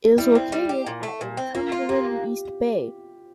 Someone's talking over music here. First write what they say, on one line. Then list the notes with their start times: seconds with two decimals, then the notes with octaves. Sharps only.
It is located at in Cumberland East Bay.
0.18 G3 E4
0.35 C4
0.52 G3
0.69 G4
0.87 A#2
1.03 A3
1.21 A#2
1.37 C4
1.55 A#3 F4
1.72 F4
1.89 A#3 G4